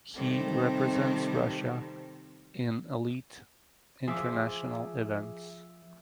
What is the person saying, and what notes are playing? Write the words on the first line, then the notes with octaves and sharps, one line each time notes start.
He represents Russia in elite international events.
C3 D#3 G3 A3 C4
F3 G#4 E5 D6